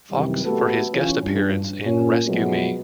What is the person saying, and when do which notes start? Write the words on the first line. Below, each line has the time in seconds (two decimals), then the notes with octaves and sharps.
Fox for his guest appearance in "Rescue Me".
0.11 F#2 C3 D#3 E3 G3
0.44 A3 B3 F#4 G4 A4 B4
0.93 E3 C#4 F4
1.23 G2
1.85 A#2 C#4
2.27 B2 F3 F#3 G#3 A3 B3